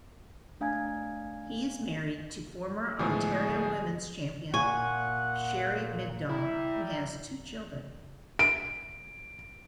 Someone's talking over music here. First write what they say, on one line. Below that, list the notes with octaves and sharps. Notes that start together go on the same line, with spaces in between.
He is married to former Ontario women's champion Sherry Middaugh, and has two children.
A3 D4 F5 G#5 A#5 G#6
D2 A2 F3 G#3 B3 G#4
A#2 F#5 G#5 C#6
G3 E4 A#5
D7